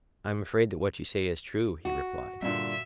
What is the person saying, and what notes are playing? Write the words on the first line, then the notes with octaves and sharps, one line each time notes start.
I am afraid that what you say is true, he replied.
F#4
G2 A#2 D3 E5